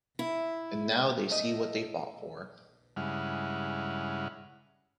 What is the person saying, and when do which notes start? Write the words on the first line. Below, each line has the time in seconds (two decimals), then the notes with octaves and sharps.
And now they see what they fought for.
0.19 E4
1.30 A3 D#5
2.96 G2 C#3 G#3 E4 F#5 F6